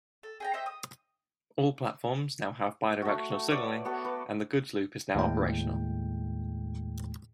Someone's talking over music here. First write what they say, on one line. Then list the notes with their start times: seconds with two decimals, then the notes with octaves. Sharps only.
All platforms now have bi-directional signalling, and the goods loop is now operational.
0.23 A4
0.40 G#4 G5 A#5
0.54 C5 D#5 E5 G5
0.66 D#6
3.02 A3 F#4
3.30 A3
3.48 A4 B4 C#5 D5
3.85 B3 F#4 A4 B4
4.05 B4
5.15 D#2 A2 G#3 G5